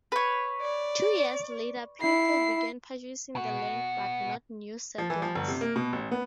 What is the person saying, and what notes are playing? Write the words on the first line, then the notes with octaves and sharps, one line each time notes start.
Two years later people began purchasing the land but not new settlers.
B4 C#5
D5
E4 C7
B2 F#4
F3
E3
F3
G1
C3
A#3
B2
A1
B3